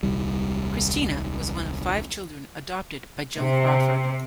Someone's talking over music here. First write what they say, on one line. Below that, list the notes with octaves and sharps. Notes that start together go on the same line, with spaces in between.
Christina was one of five children adopted by Joan Crawford.
D#1 C2 G3
C3